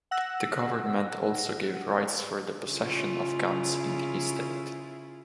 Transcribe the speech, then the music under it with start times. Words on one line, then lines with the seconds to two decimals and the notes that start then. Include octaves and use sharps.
The Government also gave rights for the possession of guns in the estate.
0.11 F#5 E6 F#6 A#6
2.65 C#3 E4 F4